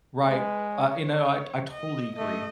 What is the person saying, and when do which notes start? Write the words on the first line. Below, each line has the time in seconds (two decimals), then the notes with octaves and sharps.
Right. Uh, you know, I I totally agree.
0.28 G#3 B4
0.76 C#5
1.70 D#5
2.16 A3 D#5